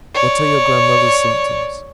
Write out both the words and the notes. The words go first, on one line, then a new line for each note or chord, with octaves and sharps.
"What are your grandmother's symptoms?"
C#5 D5